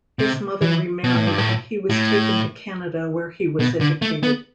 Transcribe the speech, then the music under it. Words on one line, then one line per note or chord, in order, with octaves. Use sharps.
His mother remarried and he was taken to Canada, where he was educated.
C3
E3
B2
A2
G2
A2
A2
B2
D3
A3
B3